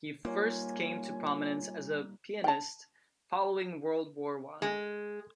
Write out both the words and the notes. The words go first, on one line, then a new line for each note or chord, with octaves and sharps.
He first came to prominence as a pianist following World War One.
A#2 G3 A#3 D#4 F4 C#5 G#5
G5 A5
G#3